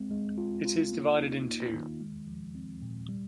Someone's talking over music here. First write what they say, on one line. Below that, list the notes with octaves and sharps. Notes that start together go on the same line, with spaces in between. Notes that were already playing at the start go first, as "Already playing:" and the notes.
It is divided in two.
Already playing: G#3 C4
G#3
F4
F4
A#3
D#4
A#3
D#3
G#3
F3
C4
A#2
G3